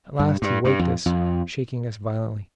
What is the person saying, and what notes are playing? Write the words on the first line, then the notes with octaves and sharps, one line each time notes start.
At last he waked us, shaking us violently.
G2
G2
G2
F2
F2